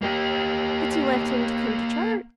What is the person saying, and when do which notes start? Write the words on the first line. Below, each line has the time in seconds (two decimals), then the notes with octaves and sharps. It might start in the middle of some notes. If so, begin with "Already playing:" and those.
'But you left him to come to church.'
0.02 A#3 G4